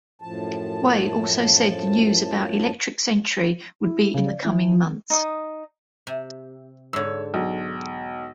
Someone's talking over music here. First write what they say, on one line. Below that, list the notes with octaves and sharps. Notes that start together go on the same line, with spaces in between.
Way also said the news about Electric Century would be in the coming months.
F#2 A2 F3 A5
E4
C#3
D5
E3
F4
D#4 D#6
C3
G#2 D3 C#5 E6
B1